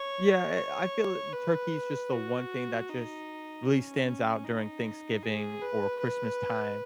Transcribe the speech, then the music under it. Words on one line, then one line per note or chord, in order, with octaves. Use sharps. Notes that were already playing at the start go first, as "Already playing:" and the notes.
Yeah, I I feel turkey’s just the one thing that just really stands out during Thanksgiving or Christmas time
Already playing: C#5
C#5
B4
F#4
D#4
C#4
C#4
D#4
G#4
B4
B4